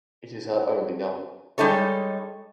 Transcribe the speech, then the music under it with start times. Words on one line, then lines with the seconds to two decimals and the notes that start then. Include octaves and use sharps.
It is her only novel.
1.58 G3 G#3 D#4 A4 C#5